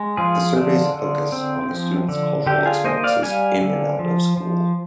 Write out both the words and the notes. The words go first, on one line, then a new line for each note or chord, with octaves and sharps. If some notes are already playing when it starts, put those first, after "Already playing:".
The surveys focus on the students' cultural experiences in and out of school.
Already playing: G#3
F3 F4 G#4
D3
D3
C4
F3
D3
D3 G4
F4 G#4
A#3 C5 D#5
D5 F5
G3 F5 G#5
D3
F3
F3